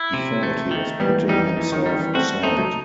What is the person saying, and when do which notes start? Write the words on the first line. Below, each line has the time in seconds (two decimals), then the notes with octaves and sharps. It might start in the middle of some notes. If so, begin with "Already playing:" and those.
He felt he was putting himself aside.
Already playing: E4
0.14 C3
0.43 A3
0.71 D#3
1.00 E2 G3 B3
1.29 E3 G3 D#4
1.57 E2 E3
1.72 D#3
1.86 D#3 G3
2.00 E3
2.14 A3 C4 F#4
2.43 A3 C4 D#4
2.58 F#3 A3